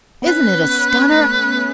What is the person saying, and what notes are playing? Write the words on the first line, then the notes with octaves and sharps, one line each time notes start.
Isn't it a stunner?
B3
C#4 B4
B3
B3
A3
B3